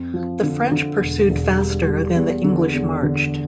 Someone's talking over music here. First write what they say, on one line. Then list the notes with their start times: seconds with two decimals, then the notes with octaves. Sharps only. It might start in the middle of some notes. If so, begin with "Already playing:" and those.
The French pursued faster than the English marched.
Already playing: F2
0.14 F3
0.43 D3
0.72 D3
1.00 E1
1.30 E1
1.58 G3
1.87 G3
2.15 E2
2.44 D3
2.74 E2
3.03 D3